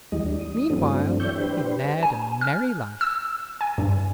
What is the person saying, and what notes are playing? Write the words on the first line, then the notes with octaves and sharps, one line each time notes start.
Meanwhile he led a merry life.
D#2 E3 G3 G#3 D#5
D4
D#6
G2 E3 F#3 A3 C4 D4
C#5 D5 E5 G5 C#6 G6
D4 G4 B4 C5
G#5
F6
E6
G#5
G2